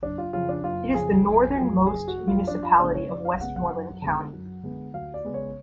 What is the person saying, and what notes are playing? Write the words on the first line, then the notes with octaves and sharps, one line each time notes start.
It is the northern most municipality of Westmoreland County.
F#1 D4
F4
F2 C#3 F4
D4
F#1 F4
F2 C#3 G#4
F#1
F#2 F3 A3
F#1 G#4
F#4
F#2 F3 A3
F4
F2 D4
F4
C#3 G#3 B3 D4
C#5
F2 D5
F5
C#3 G#3 B3 F#5
F#5
F#2
D3 G#3 B3
F#2
D3 G#3 B3
D2 F5
D5
C#3 G#3 B3
C#5